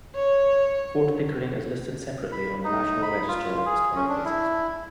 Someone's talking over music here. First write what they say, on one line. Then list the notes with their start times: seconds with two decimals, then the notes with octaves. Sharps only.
Fort Pickering is listed separately on the National Register of Historic Places.
0.14 C#5
2.32 B5
2.64 D#4
3.02 B5
3.28 F4
3.66 G#4
3.95 C#4
4.09 D4
4.25 E4